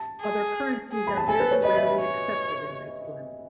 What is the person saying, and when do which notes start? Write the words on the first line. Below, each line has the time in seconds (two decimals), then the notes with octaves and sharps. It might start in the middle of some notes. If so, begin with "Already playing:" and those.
Other currencies are very rarely accepted in Iceland.
Already playing: A5
0.20 G#4
0.92 G#4
1.07 B5
1.17 A5
1.28 A4 G#5
1.40 B4
1.51 C#5
1.63 B4 D#5
1.75 E5
2.00 C#5